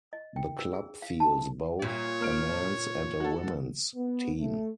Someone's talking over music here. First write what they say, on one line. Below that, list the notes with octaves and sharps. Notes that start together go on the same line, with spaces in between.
The club fields both a men's and women's team.
D#5
G5
E6
G#4
F5
A5
A#2 C#5
A#3 F6 D7
F#4 A4
B3
A3